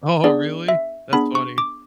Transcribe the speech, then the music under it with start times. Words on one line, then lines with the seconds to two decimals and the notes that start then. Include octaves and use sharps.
Oh, really? That's funny.
0.24 B3 D4 G#4 D5
0.68 E5
1.13 B3 D4 G#4 B5
1.35 C#6
1.58 D6